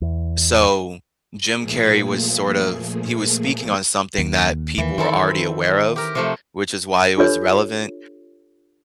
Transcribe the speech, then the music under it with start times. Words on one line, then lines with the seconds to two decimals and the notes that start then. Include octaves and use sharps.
So, Jim Carrey was sort of he was speaking on something that people were already aware of, which is why it was relevant,
0.01 E2
1.57 A#2 F3 A3 A#3 G#4
4.18 D#2
4.78 D#2 E3 A#3
4.98 D#3 C4 E4 A4
5.96 G4 A#4
6.15 C3 F3 A3
7.17 D4 F4 G4 A4 B4 C#5